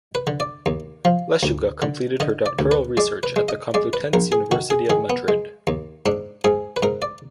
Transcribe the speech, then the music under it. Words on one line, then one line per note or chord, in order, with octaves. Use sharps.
Lechuga completed her doctoral research at the Complutense University of Madrid.
B4
D3
D5
D#2
F3
D2
D3
D3 D#5
D5
D2
B4
G#3 D5
B4
G#3
D#5
G#3 D5
B4
A#1 A#4
G#4
D#3 F#4
G#4
D#3 G#4
B3
G#3
D#2
G#2 D4
G#2 G#4
B4
G#2 A#4
D5